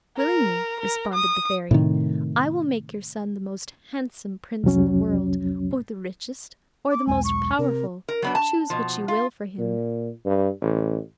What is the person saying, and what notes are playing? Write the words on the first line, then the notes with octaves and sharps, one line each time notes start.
"Willingly," responded the Fairy, "I will make your son the most handsome prince in the world, or the richest, or the most powerful; choose which you will for him."
A#4
A#4
D#6
A2 C3 D#3
C2 F2 F#3 C#4
D6
B1 E2 G#3 G#5
C#6
C3 A#4
A#4
F#3 B3 D4
A5
B2 F3
F4
A#2
G2
A1